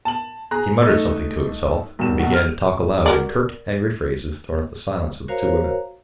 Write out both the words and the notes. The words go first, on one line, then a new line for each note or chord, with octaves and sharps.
He muttered something to himself, then began to talk aloud in curt, angry phrases thrown at the silence of the two women.
A5 F#7
G#4 A#5 F#6
A3 D#4 D#5
B1 G2 D#3 E7
B1 F#4
F6
F#4 A#4 D5
F#4 A#4 C5 C#5 F5 A#5